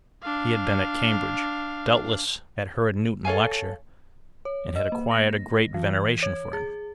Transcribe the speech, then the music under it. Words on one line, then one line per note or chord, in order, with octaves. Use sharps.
He had been at Cambridge, doubtless had heard Newton lecture, and had acquired a great veneration for him.
D4 F5
A4 C#5 F5 G#5
C#5
D#5
A#3
A#6
E3
G#6
C#5
G#4